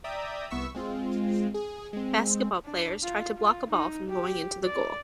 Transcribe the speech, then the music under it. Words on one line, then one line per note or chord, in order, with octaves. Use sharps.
Basketball players try to block a ball from going into the goal.
D5 E5 G5 A#5 D#6
C2 B3 E5 C#6 E6 B6
G#3 C4 F4
G#4
G#3 C4
D4
F4
F4
D#4
G4
D5